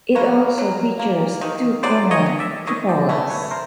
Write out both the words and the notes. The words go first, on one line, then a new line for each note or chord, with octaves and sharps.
It also features two corner cupolas.
A#3 B4 C#5
F#3
A#3
D#3
F#3 C5 D5
C#5 D#5
D#3
D5 E5
D#3 C#5 D#5
C5 D5
A3 B4 C#5
B4 C#5
A#4 C5